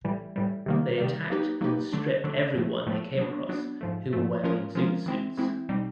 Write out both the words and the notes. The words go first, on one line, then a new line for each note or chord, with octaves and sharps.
They attacked and stripped everyone they came across who were wearing zoot suits.
A2 E3 G3
A2 E3 G3
C3 D#3 G3 A#3
C3 D#3 G3 A#3
F#3 A#3 D#4 G4 B4
F#3 A#3 D#4 G4 B4
D3 F#3 A3 D4
D3 F#3 A3 D4
A2 F3 A3
A2 F3 A3
F#3 B3 D4
F#3 B3 D4
G#2 F3 A3
G#2 F3 A3
F3 G#3 C#4 F4 A#4
F3 G#3 C#4 F4 A#4
E3 G#3 C4 E4
E3 G#3 C4 E4
B2 G3 C4 D#4